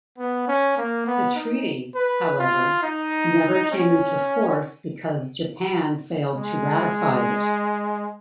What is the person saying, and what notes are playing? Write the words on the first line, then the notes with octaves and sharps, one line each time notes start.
The treaty, however, never came into force because Japan failed to ratify it.
B3
C#4
A#3
B3
D#4
B4
F4
D#4
C#4
G#3